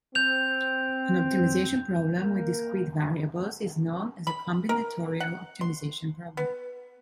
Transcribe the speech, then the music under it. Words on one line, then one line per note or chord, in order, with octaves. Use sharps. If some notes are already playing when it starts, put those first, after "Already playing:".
An optimization problem with discrete variables is known as a combinatorial optimization problem.
C4 G6 F7
A#3 A#4
B5
A#4
F#5
C6
B3